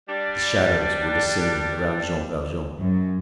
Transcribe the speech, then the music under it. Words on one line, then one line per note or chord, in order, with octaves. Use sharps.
The shadows were descending around Jean Valjean.
G3 D4
F#2